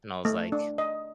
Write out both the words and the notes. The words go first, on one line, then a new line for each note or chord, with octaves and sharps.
and I was like
A3
D4
D#5